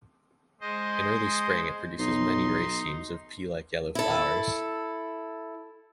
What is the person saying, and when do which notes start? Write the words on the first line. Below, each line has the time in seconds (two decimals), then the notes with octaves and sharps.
In early spring it produces many racemes of pea-like yellow flowers.
0.61 G#3 C5 D#5
1.98 B1 D#4 C6
3.95 E4 A4